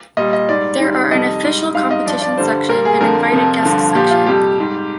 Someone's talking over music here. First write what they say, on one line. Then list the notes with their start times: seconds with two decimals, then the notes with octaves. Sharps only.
There are an official competition section and invited guest section.
0.17 A#2 G3 D#5
0.33 D#5
0.49 G#2 G3 D5
0.80 G#2 D#3 G3
1.11 F2 C3 D#3 G3 D#5
1.43 G#2 G3
1.74 G#2 G3 F5
1.91 D#5
2.06 G2 F3 D5
2.22 D5
2.38 G2 D3 G3 C5
2.69 A#2 G3 A#4
2.85 G#4
3.00 F2 D3 F3 A#4
3.32 F2 C3 F3
3.63 G2 D3 F3
3.95 A#2 F3 G4
4.11 F4
4.26 F2 C3 G3 G4
4.58 G#2 G3